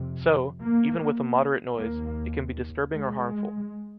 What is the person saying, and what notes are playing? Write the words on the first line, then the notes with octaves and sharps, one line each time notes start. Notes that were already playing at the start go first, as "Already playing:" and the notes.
So, even with a moderate noise, it can be disturbing or harmful.
Already playing: F2 C3
A#3
D#2 A#3
G#3